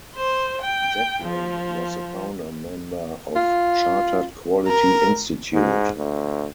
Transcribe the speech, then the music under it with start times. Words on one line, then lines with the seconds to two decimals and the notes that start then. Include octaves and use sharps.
Jetley was the founder member of Chartered Quality Institute.
0.16 C5
0.62 G5
1.24 F3
3.35 F4
4.68 A#4
5.53 G#2
5.96 D2